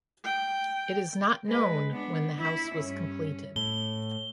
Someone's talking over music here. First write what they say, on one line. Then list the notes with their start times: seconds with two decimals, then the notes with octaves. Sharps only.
It is not known when the house was completed.
0.24 G5
1.46 G#3 B4
1.92 B3 D4
2.39 E4 E5
2.75 G2 C#4
3.56 A2 G7